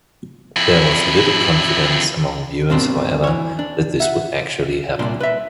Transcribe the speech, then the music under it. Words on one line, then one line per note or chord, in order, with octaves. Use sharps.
There was little confidence among viewers, however, that this would actually happen.
F2 E4
G2 B2 A#3 C4 D4
E3 C#5
D4
E5 F#5
C2 A#2 D4 C6
B4 E5